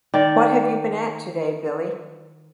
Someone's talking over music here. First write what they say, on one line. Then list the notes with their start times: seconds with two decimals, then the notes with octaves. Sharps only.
What have you been at today, Billy?
0.14 D#3 D5